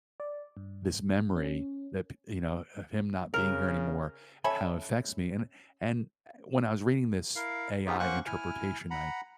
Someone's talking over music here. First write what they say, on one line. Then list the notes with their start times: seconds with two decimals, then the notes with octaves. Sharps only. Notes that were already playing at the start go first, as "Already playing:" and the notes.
this memory that p you know, of him not being here anymore, how it affects me and and when I was reading this AI interpretation, I
0.20 D5
0.57 G2
1.36 C#4
3.34 C#3 A#4
4.44 C#4 A4 E5 B5
7.36 E4 A#4 F5
7.86 B3 C#4 D#4 F4 G4 G#4
7.99 A#3 C#4 C5 F#5 C#6 F#6
8.27 E4 G#5 F6
8.91 F#5 A#5 B5